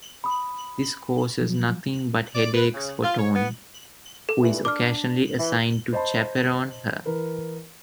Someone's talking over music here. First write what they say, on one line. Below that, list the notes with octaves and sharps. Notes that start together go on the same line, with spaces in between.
This causes nothing but headaches for Toni, who is occasionally assigned to chaperone her.
B5 D#6
F3 F#3
D5
B4
C#3
F4
C#5
B3
A4
G2 E3
D4 D6 F6
E3
C5 D#5 A5 B5 C6
E3 A#4 B4